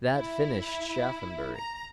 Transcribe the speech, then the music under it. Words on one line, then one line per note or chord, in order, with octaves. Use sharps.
That finished Shaphambury.
E4
A#5